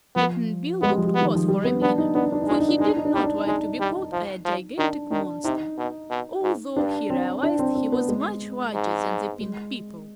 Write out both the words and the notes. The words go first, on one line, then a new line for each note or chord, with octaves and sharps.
Cap'n Bill looked cross for a minute, for he did not like to be called a "gigantic monster," although he realized he was much larger than the pink people.
F3 B3
G#3 B3
G3
F3
G3
B3
D#3
F3
G3
B3
B3 D4
D#4
B3 D4
D#4
D4
D#4
G#3 D4
D#4
D4
G#3 D#4
D4
D#4
D4
G3 D#4
D4
G#3 D#4
G3
F3
F3
D#3 D4
D#3 D4
C3 D#4
B2
B2
G#2
G2 D4
C4
D4
C4
C4
B3
G#3
G#2
G#3